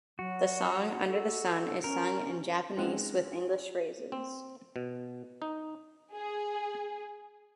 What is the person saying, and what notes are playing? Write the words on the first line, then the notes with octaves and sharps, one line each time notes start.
The song "Under the Sun" is sung in Japanese with English phrases.
F#3 F#4
A4
C#4 A#4
C#2 E3 G#3 C4 D#4 F#5
C4
B2
D#4
G#4